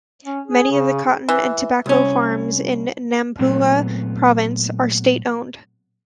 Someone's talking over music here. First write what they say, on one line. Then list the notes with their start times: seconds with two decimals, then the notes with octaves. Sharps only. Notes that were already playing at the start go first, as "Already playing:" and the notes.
Many of the cotton and tobacco farms in Nampula Province are state-owned.
0.25 C#4
0.48 G#4
0.71 C#3
1.29 E3
1.86 C2 C#4
3.39 A#2 F#3 A3 B3 C4